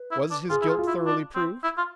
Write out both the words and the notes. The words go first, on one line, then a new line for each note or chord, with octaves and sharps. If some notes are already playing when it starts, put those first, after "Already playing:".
Was his guilt thoroughly proved?
Already playing: B4
E4
D4
F4 G#4
E4
F4
F4
E4
D4
C4
E4
F4